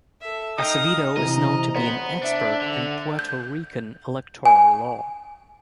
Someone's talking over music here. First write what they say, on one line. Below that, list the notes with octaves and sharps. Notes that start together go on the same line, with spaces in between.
Acevedo is known to be an expert in Puerto Rican electoral law.
A4 E5
D#4 F5 G5 A#5 D#6
C3 E3 D#5 A#5
B3 C5
D4 E5
D3 F#5
G6
G#5